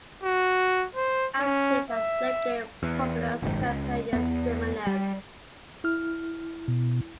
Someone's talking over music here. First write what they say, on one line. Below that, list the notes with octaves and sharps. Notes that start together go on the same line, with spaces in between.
Acted as legate Publius Campanius Geminus.
F#4
C5
C#4
E5
E2
F#1 B1 G#2 D#3
C#2
E2 B3
G3
E4 F6
B2